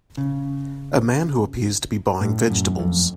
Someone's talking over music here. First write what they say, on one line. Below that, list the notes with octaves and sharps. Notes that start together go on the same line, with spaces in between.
A man who appears to be buying vegetables.
C#3
A2
F#2
F2